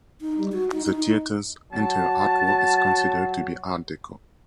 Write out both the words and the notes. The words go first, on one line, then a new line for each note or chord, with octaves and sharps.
The theater's interior artwork is considered to be Art Deco.
D#4
G3
F#4
D#4
D#4
F#3 A5